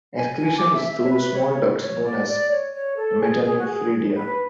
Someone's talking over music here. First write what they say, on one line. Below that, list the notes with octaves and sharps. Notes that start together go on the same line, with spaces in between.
Excretion is through small ducts known as metanephridia.
G#5
G#5
D6
E5
E5
C#5
B4
C#5
C#5
D5
D5
C#5
C#5
A4
G#4
G#4
F#4
G#4
B4